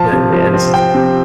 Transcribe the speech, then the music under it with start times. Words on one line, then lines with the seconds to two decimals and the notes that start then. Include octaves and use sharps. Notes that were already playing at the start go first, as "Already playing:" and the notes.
My man's
Already playing: F3 A5
0.13 C3
0.33 F3
0.54 C4
0.74 F3 G5
0.94 C3